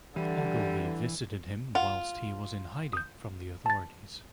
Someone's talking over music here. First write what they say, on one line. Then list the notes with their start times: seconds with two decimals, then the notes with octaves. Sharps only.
Ogilvie visited him whilst he was in hiding from the authorities.
0.16 D3 E3 G3
1.75 F4 F#5
2.93 D#6 G6
3.66 A5 A6